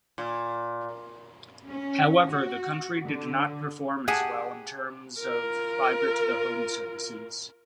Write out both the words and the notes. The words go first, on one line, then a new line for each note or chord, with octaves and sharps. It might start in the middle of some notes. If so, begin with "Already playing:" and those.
However, the country did not perform as well in terms of fiber-to-the-home services.
A#2
C#4
F#4
D3
G4 G#4 F#5 G#5 A5
F4 A#4